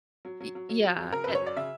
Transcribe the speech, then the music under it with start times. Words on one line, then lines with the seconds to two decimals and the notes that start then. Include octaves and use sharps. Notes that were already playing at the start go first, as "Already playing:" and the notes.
It yeah, and
0.25 F#3
0.40 F#3
0.55 F#3
0.69 F#3
0.84 F#3
0.99 F#3
1.12 C#3 A#4
1.24 F#2 B4
1.35 C#5
1.42 F#3 D5
1.56 C#3 E5